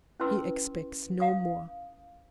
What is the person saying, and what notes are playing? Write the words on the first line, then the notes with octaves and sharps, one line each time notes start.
"He expects no more."
C#4 E4 B4 C5 C6 E6
F5 D#6